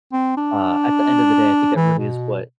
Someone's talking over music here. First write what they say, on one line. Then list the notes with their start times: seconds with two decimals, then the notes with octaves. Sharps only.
uh, at the end of the day, I think that really is what
0.13 C4
0.37 D4
1.76 E3
1.99 B2